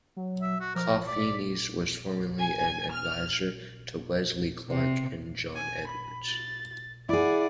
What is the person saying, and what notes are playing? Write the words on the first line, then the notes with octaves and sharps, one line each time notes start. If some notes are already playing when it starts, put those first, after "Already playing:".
Kofinis was formerly an adviser to Wesley Clark and John Edwards.
F#3
E5
F#4
F3 A#4
D5 B6
G#5
F6
C3
G#5
B5
A6
E4 G#4 D5 F#5